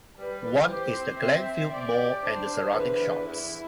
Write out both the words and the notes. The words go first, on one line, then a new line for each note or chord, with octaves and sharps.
One is the Glenfield Mall and the surrounding shops.
G3 B4
E3
G4 C5
C4
C4 E5
C4
G4 D5
G4
D4 C5
E2
D3 B4
E2
E2 E4